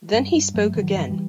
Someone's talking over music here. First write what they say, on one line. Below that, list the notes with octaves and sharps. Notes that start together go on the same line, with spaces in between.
Then he spoke again.
G2
G2
G2 F#3 A3
G2 E3
D#3 F#3
G2
E3 G3